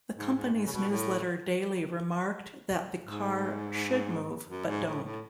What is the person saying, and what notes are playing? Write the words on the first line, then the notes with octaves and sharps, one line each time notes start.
The company's newsletter daily remarked that the car "should move, but don't".
G#2
G#2
G#2
C#3
B2
A2
G#2
F#2
G#2
A2
A2